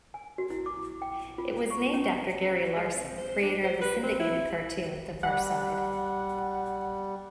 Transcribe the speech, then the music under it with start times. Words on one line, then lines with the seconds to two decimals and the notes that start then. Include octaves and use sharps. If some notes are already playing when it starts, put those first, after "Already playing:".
It was named after Gary Larson, creator of the syndicated cartoon The Far Side.
0.14 G#5
0.38 F#4
0.50 E4
0.66 D6
1.02 G5
1.38 F4
1.71 C#6
1.94 C#4
2.76 G#3
2.94 C4
3.18 C5
3.43 D4
3.63 C5
3.81 B4
4.03 C4
4.20 E4
5.23 G3 F#5